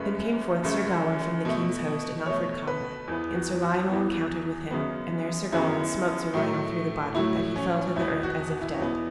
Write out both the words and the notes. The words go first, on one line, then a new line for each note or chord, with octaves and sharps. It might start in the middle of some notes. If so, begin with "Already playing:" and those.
Then came forth Sir Gawain from the king's host and offered combat, and Sir Lionel encountered with him, and there Sir Gawain smote Sir Lionel through the body, that he fell to the earth as if dead.
Already playing: F#2 C#3 A3 B4
F#2 C#3 A3
B2 A3
B2 A3 C#5
B4
E2 E3 B3
F#4
F#4
E2 E3 B3
F#2 C#3 F#3 B3
F#2 C#3 F#3 B3 E4
A2 F#3 A3
A2 F#3 A3 E4
C#4
E2 B2 B3 E4
F#4
F#4
E4
C#4
E2 B2 B3 E4